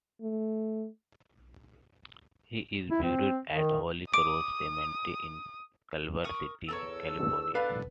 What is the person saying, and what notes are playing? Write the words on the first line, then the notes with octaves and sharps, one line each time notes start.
He is buried at Holy Cross Cemetery in Culver City, California.
A3
E4
C4
D#3
D6 D#6 D7
A#4 C#6 D#6
E2 A4 A#4 C#5 E6
B3 D4 A4 B4 F5